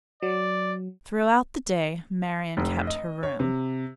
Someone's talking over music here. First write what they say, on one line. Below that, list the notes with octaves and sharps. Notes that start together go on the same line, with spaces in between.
Throughout the day Marian kept her room.
F#3 D5
F1
D#5
C#5
C3